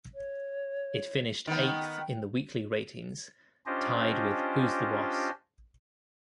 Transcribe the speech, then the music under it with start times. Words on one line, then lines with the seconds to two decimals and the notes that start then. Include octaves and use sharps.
It finished eighth in the weekly ratings, tied with Who's the Boss?
0.15 C#5
1.47 D#3 B3 G5
3.66 C#4 D4 F4 G4 C5 D#5